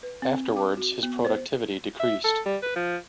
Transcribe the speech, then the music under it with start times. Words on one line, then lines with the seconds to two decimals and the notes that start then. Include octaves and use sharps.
Afterwards his productivity decreased.
0.03 B4
0.22 C4
0.56 D6
0.77 F#4
1.03 B3
1.25 C5
2.00 E5
2.24 A4
2.46 G3
2.62 B4
2.76 F3